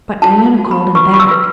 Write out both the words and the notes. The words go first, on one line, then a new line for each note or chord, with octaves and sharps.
But Diana called him back.
F#4 A5
F#4
B5
B4 C#6
C#6
E6
B4